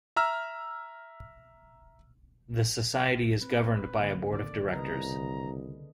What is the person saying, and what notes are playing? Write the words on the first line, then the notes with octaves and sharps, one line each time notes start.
The Society is governed by a board of directors.
E5 A#5 E6 F6
C4 B4
D3 A#3
D#3 D5
C2 C#3 B4 D#5 A#5
D3